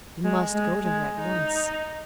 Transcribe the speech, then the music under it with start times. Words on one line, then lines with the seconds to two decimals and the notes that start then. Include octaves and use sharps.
He must go to her at once.
0.24 G#3
0.54 G#3
0.85 G#3
1.16 D#4